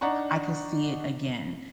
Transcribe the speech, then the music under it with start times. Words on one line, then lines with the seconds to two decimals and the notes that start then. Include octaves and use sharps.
I could see it again,
0.01 D4 D#4 F#5 A#5 C#6